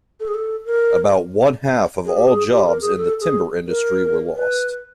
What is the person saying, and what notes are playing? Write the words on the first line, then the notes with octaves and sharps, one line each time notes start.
About one-half of all jobs in the timber industry were lost.
A4
G#4
A4
A#4
G#4
G4
G#4
G4
A#4
G#4
A4
G#4
A#4
B4